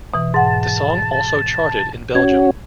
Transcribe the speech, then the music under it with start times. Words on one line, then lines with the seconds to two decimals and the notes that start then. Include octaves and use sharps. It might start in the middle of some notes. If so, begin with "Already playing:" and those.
The song also charted in Belgium.
0.14 B2 E3
0.34 G#2 F#5 A5
2.15 C#4 F#4 G#6